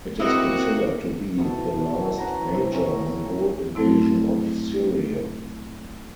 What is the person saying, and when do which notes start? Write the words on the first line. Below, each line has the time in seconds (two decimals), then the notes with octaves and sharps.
It is considered to be the last major Mongol invasion of Syria.
0.20 A#3 C4 E4 F#4 D#5 F#5
1.38 B2 E4 A4
2.18 C#4 B4 F#5 A#5
2.52 C3 E4
2.73 A#4 C#5 G#5
3.75 G#2 F#3 A3 C4 E4